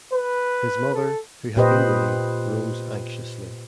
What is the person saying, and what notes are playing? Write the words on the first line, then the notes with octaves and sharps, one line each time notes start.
His mother, who had been waiting, rose anxiously.
B4
A4
A#2 G4 B4 C5 D#5